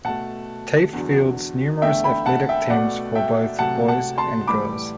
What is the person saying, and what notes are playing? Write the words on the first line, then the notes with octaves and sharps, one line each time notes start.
Taft fields numerous athletic teams for both boys and girls.
B2 A3 F#5 A5
E2 D3 F#3
E2 D3 A3 E5 G5
G5 B5
F#5 A5
E5 G5
B2 A3 D5 F#5
E5 G5
C3 F#3 A3 F#5 A5
F#5 A5
A5 C6
A2 E3 G3 B5 D6